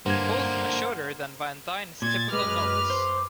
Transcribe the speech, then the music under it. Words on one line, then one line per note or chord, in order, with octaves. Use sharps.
Both are shorter than Van Dine's typical novels.
G2 D3 A#3 C5 F#5 C6 G#6
A#2 G#6 A6
F#2 G#3 B4 D6 F6
C5